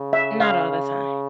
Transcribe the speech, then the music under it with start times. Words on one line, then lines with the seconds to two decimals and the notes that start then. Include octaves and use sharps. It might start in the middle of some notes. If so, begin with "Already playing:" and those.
Not all the time.
Already playing: C#3
0.13 E5
0.40 F5